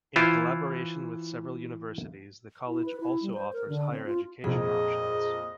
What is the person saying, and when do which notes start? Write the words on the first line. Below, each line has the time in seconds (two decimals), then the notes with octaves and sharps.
In collaboration with several universities the college also offers Higher Education options.
0.16 E3 E4 F4 C5
2.67 E4
2.86 B4
3.00 E4
3.22 G3
3.34 C5
3.53 A#4
3.68 D3
3.92 C4
4.06 F4
4.44 F2 A#2 G#4 D#5